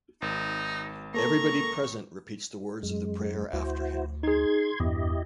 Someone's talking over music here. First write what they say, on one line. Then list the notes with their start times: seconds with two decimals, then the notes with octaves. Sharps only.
Everybody present repeats the words of the prayer after him.
0.22 G#1 D#4
1.14 A#3 A4 A#4 A#5 C#6
2.83 F#2 G#3
3.53 D2 E4 F#4 C5
4.23 D#4 G#4 C6 G#6
4.80 E2 G2 E4 G4 D#5